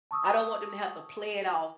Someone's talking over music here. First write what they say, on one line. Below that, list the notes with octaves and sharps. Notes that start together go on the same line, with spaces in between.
I don't want them to have to play it off
A5 C#6 D#6 E6